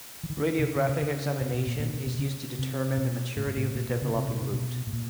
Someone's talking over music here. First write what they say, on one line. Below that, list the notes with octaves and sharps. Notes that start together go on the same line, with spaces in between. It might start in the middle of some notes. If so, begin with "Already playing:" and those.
Radiographic examination is used to determine the maturity of the developing root.
E3
D#3
D3
C#3
C3
D3
C#3
C#3
C3
B2
A#2
A#2
B2
B2
C#3
C3
B2
A2
G#2
A2
A#2
B2
C#3
C3
B2
C3
B2
A2
A#2